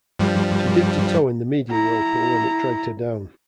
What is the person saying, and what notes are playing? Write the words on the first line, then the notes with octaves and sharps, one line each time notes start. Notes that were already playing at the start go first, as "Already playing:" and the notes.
She dipped a toe in the media whirlpool and it dragged her down.
G2 F3 G3
E4 A#5